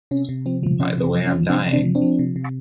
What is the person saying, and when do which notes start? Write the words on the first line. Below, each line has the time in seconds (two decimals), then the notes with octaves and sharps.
By the way I’m dying.
0.11 C3 C#4
0.29 C3
0.46 F3 C4
0.63 F3
0.80 C3 C#4
0.98 C3
1.03 C4
1.15 F3
1.27 C#4
1.32 F3
1.49 C3 C4 D4
1.67 C3
1.73 C4 D4
1.84 F3
1.95 C4 D4
2.02 F3
2.19 C3
2.36 C3